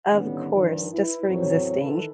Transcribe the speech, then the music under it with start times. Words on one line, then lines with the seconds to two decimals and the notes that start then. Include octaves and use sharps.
Of course, just for existing.
0.12 A2 D3 D#3 G3 B3 C#4
0.54 G2 D#3 F3
0.93 E4 B4
1.28 E2 A2 F#3 C4 C#5
1.82 D#3 E3 A4 B4